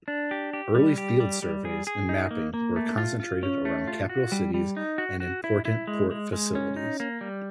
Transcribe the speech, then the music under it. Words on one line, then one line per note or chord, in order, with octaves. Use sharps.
Early field surveys and mapping were concentrated around capital cities and important port facilities.
D4
G4
G4
G3
G4
G3
G3
G#4
G#4
D#4
A#3
A#3
A3
F4
F4
C#4
A3
F4
F#4
G3
G3
D#4
F#4
F#4
E4
E4
G#3
G#3
G#3
C#4
D#4
A#3
G3